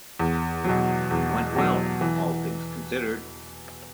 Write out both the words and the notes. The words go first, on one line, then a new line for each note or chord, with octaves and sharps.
It went well, all things considered.
E2
B2 F#3
E2
B2 F#3
E3